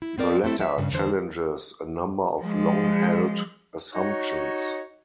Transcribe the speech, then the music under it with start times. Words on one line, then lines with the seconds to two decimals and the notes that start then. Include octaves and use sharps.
The Letter challenges a number of long-held assumptions.
0.02 E4
0.18 B3 C4 A#4 D5
0.44 A3 C4 E4 A4
0.59 F#3 E5
0.78 G2 C#3
0.92 E2 D3 C5
2.42 F3 G#3
3.93 D#4 F#4 C#5